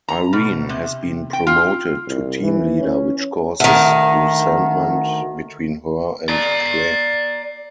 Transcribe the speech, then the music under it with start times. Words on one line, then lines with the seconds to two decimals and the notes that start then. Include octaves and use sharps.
Irene has been promoted to team leader which causes resentment between her and Clare.
0.08 A#5
0.33 B2
0.69 C3
1.33 G5
1.47 F4
2.07 C2
2.43 E3
2.80 C#4
3.60 D2 D#3
6.29 D5 A#5